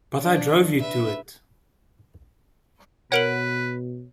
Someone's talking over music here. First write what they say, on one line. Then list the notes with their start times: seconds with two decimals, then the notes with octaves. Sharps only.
But I drove you to it.
0.19 D4
0.80 B4 E5
3.12 B2 A#4 B4 C#5 F#5 D7 F#7